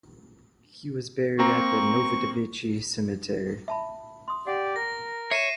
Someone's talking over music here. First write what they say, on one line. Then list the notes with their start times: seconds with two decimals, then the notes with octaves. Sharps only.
He was buried at the Novodevichy Cemetery.
1.39 A#3 C4 A#5 C#6
3.68 E5 A5 B5
4.28 C6 D#6
4.47 G4 D5 F#5
4.76 A#4 A#6
5.31 C#5 E5 C7 D#7 E7